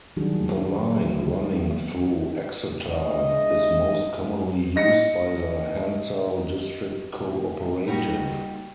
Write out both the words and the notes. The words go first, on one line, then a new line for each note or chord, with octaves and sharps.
The line running through Exeter is most commonly used by the Hensall District Co-Operative.
D#3 F#3 G3 D4 F#4 G#4
G#3 D4 E4 D#5
D#5 A#6 C#7
G3 A#3 D#4 F#4